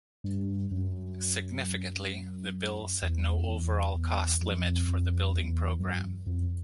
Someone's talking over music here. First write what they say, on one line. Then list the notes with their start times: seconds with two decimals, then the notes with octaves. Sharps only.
Significantly, the bill set no overall cost limit for the building program.
0.24 G2
0.71 F#2
3.02 E2
3.39 F2
3.49 E2
3.95 E2
4.41 F2
4.88 F2
5.34 E2
5.80 F#2
6.27 F2